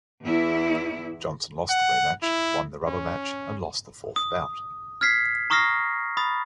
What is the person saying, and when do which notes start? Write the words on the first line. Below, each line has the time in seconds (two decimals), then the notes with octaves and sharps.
Johnson lost the rematch, won the rubber match and lost the fourth bout.
0.22 E2 E4
1.70 F#5
2.23 E4
2.87 C#4
4.16 D#6
5.01 F6 G#6 B6 C7
5.50 A#5 C#6 D#6 F6 A#6 C7
6.17 B5 D#6 A6